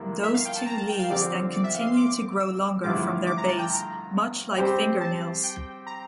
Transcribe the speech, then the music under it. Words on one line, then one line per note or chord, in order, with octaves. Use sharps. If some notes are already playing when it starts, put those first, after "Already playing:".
Those two leaves then continue to grow longer from their base, much like fingernails.
Already playing: G2 D3 F3 A#3 E4
E5
F5
G5
A5
A#5
A5
G5
F5
D3 F3 C4 G4 D5
D5
E5
F5
C6
D6
E6
G2 D3 F3 A3 E4 D6
D6
A#5
A5
G5
A#5
G3 C4 G4 C5
A5
G5
A#5